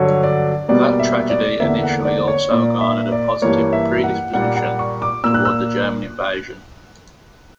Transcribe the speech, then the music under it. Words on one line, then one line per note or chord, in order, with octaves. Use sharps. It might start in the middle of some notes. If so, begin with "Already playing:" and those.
That tragedy initially also garnered a positive predisposition toward the German invasion.
Already playing: G2 D3 F#3 C#5
D5
B2 G3 A#3 D5
E5
D5
E2 D3 A#3 E5
F#5
D5
C#5
A#2 A#3 D5
E5
D5
G2 E3 G3 A#3 C#5
E5
F#5
A#2 G3 A#3 F#5
F#5
C#6
D6
A#2 A#3 E6
F#6
E6